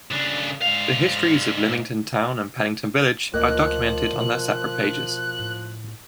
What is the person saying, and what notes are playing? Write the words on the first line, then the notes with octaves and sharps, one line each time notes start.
The histories of Lymington Town and Pennington village are documented on their separate pages.
C#3 D4
G#2 F5
D2 F3 A#3 D#5 F#6
B2
A2